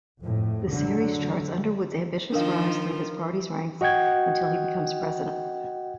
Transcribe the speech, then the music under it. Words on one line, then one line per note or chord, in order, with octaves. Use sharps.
The series charts Underwood's ambitious rise through his party's ranks until he becomes President.
F2 A2
D3 F#3
D#3 F3 D4 F4 A#4 F5
F#4 D#5 F#5 G5 G#6